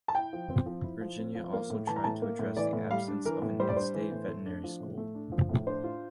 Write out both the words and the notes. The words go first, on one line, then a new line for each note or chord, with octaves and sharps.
Virginia also tried to address the absence of an in-state veterinary school.
A5
E4 G5
F3
C4
F3
E4
F3
C4
F3
A#3 F5
A2
E3 A5
A#5
A2 A5
A#3
A2
E3 D5
A2
G3 F5
D4
E3 A#4
A2
G3 C5
D5
D4 C5
E3
A2
A3
D4
F3
A2
A3
D4
F3
A2
D4 C5
F4